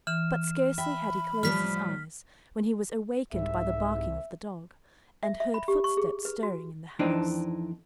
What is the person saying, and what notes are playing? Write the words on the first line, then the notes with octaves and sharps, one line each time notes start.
But scarcely had he closed his eyes when he was awakened by the barking of the dog, and heard footsteps stirring in the house.
E3 F6 E7
E5 G5 B5
A2 F3 G3 F6 B6
C2 G#2 E5
E5
E5
B5
G4
C#6
G#4
B4
F#4
F2 E3 C4 D4 D#4